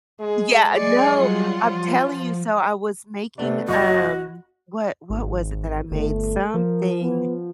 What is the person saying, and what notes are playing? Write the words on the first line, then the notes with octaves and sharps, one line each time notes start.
Yeah, no, I'm telling you, so, I was making, um what what was it that I made? Something
G#3 G#4
F#3 D5 G#5 C7 C#7
F#3 G3 F4 F#5
F3
C3 A3 B3 D4
F#1 F#4 D#5 C#6
G#1
G1 A3
F3 A#4
B3